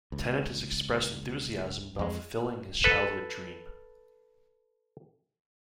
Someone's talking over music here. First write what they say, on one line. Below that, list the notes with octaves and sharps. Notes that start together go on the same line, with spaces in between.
Tennant has expressed enthusiasm about fulfilling his childhood dream.
C#2
F2 G#3
A4 B4